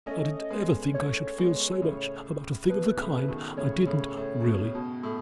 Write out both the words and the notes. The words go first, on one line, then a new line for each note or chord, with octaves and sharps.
I didn't ever think I should feel so much about a thing of the kind--I didn't, really.
A3 C#4 D#5
G#3 B3
A3 C#4 C#5
G#3 B3
A2 C#3
B2 B4
A2 C#3
B2 D#3
A2 C#3 C#5
A2 C#3
A2
B2
B2
A2